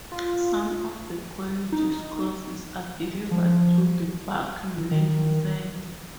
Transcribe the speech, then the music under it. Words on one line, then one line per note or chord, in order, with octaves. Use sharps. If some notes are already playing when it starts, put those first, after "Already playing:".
Some of the college's courses are delivered through the Barking Learning Centre.
F4
D#4
F3
D#3